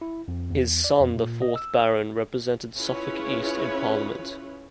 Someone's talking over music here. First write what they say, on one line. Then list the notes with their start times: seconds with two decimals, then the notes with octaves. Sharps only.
His son, the fourth Baron, represented Suffolk East in Parliament.
0.01 E4
0.28 F2
0.50 E2
0.84 D5
1.00 F2
1.16 A#2
1.42 D#5
1.56 E6
2.77 C#4 E4 F4 G#4 B4 C#5